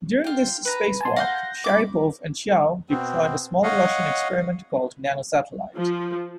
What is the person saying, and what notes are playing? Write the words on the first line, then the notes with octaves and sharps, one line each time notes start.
During this spacewalk, Sharipov and Chiao deployed a small Russian experiment called Nanosatellite.
F4 G5
B4 A#5
G#5 A5 C6
F5 F#5 C6 G6 A#6
B5 C#6 D6
B2 C4
C#5 D#5 F5 F#5
F3